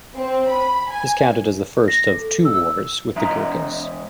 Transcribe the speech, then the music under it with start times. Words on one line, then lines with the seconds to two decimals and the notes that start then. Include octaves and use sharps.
This counted as the first of two wars with the Gurkhas.
0.16 C4
0.48 B5
0.90 G#5
1.88 A#6
2.12 A4
2.45 E6
3.16 E3 G#3 D#5 E5 A#5